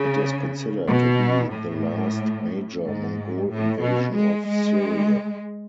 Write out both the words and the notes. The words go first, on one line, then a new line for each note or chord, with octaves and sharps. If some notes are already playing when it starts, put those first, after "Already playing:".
It is considered to be the last major Mongol invasion of Syria.
Already playing: C#3
B2
A2
G#2
A2
B2
G#3
G#3